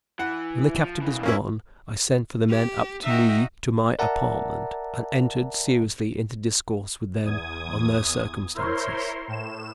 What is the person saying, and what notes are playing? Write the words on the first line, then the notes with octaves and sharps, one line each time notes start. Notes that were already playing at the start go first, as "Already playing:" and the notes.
When the captain was gone, I sent for the men up to me to my apartment, and entered seriously into discourse with them on their circumstances.
E3 F#5
F3
C#3 E3
A#3 C#4 E4
G4
D#4 F#4 E5 G5
A#4 D5 E5 F#5 A5 A#5
E2 D#6 G#6
E4 A#4 C5 C#5 C6
A2 E7